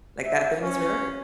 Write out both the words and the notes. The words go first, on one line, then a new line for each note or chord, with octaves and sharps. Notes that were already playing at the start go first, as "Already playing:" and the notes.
like that famous river?
E5
C#4